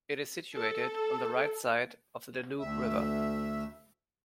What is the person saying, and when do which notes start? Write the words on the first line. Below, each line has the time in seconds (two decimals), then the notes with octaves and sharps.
It is situated on the right side of the Danube river.
0.55 A4
2.60 D2 E5